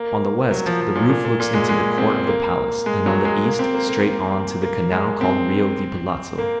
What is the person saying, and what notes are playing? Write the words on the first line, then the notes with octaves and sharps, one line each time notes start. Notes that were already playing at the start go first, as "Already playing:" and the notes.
On the west the roof looks into the court of the palace, and on the east straight on to the canal called Rio di Palazzo.
Already playing: A#3
F#3
F3
F3
A#2
A#2
A#2
A#2
G#3
G#3
C4
A#3
G#3
F#3
G#3
A#3
C4
A#3
A#3
A#3
A#3
G#3
C4
A#3